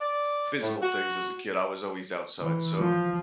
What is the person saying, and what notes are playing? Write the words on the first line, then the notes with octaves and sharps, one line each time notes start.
physical things as a kid, I was always outside, so,
D5
A2
F#4
E3
F3